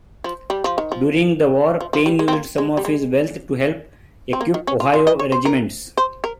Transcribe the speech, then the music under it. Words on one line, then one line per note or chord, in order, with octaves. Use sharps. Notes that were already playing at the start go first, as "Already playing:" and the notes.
During the war, Payne used some of his wealth to help equip Ohio regiments.
F3
G3
F3
D#3
F3
F3
F3
G3
G#3
C4
A#3
G#3
G3
G#3
C4
A#3
D#3
C#4
F4
F4
D#5
C#5
C5
A#4
C5
A#4